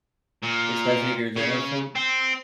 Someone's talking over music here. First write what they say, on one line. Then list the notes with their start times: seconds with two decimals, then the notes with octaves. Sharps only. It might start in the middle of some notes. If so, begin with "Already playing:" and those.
Especially if you're a germaphobe.
0.43 A#2
1.36 C#3
1.95 C4